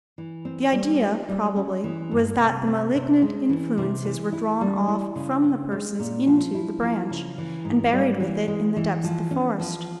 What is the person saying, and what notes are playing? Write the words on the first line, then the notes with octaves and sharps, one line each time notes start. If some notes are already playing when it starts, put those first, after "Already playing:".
The idea probably was that the malignant influences were drawn off from the persons into the branch and buried with it in the depths of the forest.
E3
C4
G3
F4
G3
C#4
E3
G2
C3
C4
C3
G#3
E3
C3
E3
E4
G3
E4
C#3
C#4
G#3
A#2
F3
E4
F3
C#3
E3
G#2
G3
E3
G#3
E3
F3
C#4
F3